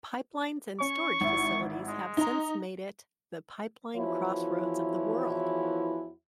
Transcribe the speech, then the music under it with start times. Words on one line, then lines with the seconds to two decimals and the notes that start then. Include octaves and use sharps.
Pipelines and storage facilities have since made it the pipeline crossroads of the world.
0.80 C#4 C#6
1.21 G#1 E4
1.88 G#3
2.17 D#4 A#5
3.95 E2 E3 F3 E4 F#4 C#5